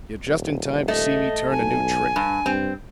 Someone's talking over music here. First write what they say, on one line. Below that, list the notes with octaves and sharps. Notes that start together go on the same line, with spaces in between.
You're just in time to see me turn a new trick.
D#1
A3 D#5
B1 G#5
G2
G2 C4